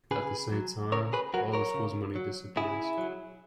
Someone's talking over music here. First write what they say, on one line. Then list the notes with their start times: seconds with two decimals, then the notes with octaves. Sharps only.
At the same time, all the school's money disappears.
0.11 C#3 G#4 B4
0.52 F#3
0.92 C#3 A#4 C#5
1.13 G#4 B4
1.34 F#3 F#4 A#4
1.53 A#4 C#5
1.74 C#3
2.16 F#3
2.57 C#3 E4 G#4
2.98 F#3